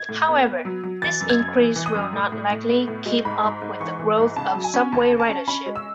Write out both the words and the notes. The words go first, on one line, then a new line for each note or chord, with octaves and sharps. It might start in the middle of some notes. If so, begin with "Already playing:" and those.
However, this increase will not likely keep up with the growth of subway ridership.
Already playing: G#6
A2
B3
B3
F#3
F#3
E3 A6
F#2
G#6
F#2
E3
E3
D#6
F#2
A2
A2
A2
B3
A2
G#3
G#2 B5
G#2
G#2
E3 C#6
E3
G#2
C#3 A5
F#3
G#5
C#4
D#2 A5
C#3
A5
C#4
C#4 B5
G#3
E6